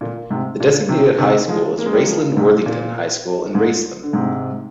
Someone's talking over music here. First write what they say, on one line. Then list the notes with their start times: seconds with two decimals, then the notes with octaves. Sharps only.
The designated high school is Raceland-Worthington High School in Raceland.
0.01 A#2
0.30 G#2 C3
0.59 A#2 D3
0.89 C3 D#3
1.18 C3 D#3
1.48 F3 G#3
1.78 A#3
1.86 G#3
1.93 G3 A#3
2.07 F3 G#3
2.37 G#2 C3
2.66 A#2
3.55 G#2
4.03 D3
4.13 G#2 C3